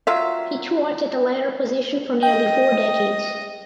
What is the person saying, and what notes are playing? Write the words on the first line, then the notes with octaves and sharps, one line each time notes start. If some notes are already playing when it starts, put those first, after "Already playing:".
He taught at the latter position for nearly four decades.
F#3 F4 E5
D#5 G5